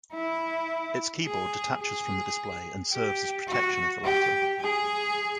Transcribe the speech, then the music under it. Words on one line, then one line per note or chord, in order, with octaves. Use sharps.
Its keyboard detaches from the display and serves as protection of the latter.
E4
G#4
G#4
G4
F#4
G4
G#4